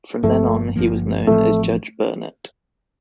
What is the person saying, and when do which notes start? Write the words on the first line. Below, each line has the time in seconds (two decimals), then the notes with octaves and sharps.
From then on he was known as Judge Burnet.
0.23 G1 G2 F3 A3 A#3
0.76 G1 G2 F3 A#3
1.27 A1 A2 F3 A3 C4